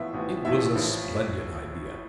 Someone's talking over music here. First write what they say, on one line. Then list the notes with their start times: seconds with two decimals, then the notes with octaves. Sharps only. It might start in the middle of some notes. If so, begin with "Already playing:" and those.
It was a splendid idea!
Already playing: A1 A2 F3 B3 E5
0.13 A1 A2 F3 B3
0.45 A1 A2 F3 E5
0.75 A1 A2 F3